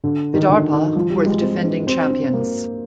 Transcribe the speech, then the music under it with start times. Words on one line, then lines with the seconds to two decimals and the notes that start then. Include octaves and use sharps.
Vidarbha were the defending champions.
0.04 D3
0.34 D#3
0.49 D3
0.72 D#3
0.95 F3
1.10 G3
1.26 G#3
1.41 C4
1.64 D4
1.87 C4
2.00 C4
2.10 D4
2.33 A#3